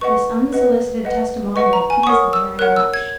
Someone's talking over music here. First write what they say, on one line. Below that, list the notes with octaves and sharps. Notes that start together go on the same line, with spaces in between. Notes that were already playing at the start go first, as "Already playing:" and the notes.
This unsolicited testimonial pleased them very much.
B4 D#5 F#5 C#6
B4 D#5 F#5
B4 D#5 F#5
B4 D#5 F#5 C#6
A#5
G#5
C#6
A#4 C#5 F#5 D#6
E6
A#4 C#5 F#5 F#6
E6
G#6